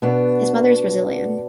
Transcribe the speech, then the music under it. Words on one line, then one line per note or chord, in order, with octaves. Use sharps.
His mother is Brazilian.
B2 B3 D4